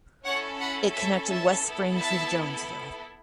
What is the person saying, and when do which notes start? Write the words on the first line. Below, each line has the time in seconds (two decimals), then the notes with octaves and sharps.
It connected West Springs with Jonesville.
0.25 C#4 E4 A4 C#5 F#5
0.60 F#5 B5
0.94 E5 A5
1.29 E5 A5
1.65 B3 E4 A4
1.99 E5 A5